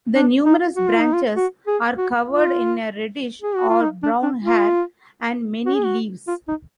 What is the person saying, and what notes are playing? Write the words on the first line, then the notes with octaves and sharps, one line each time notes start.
The numerous branches are covered in a reddish or brown hair and many leaves.
D4
D#4
F#4
F4
D#4
F4
F#4
G#4
F#4
F4
G#4
F#4
F4
D#4
D4
D4
F4
F#4
G#4
F#4
F4
D#4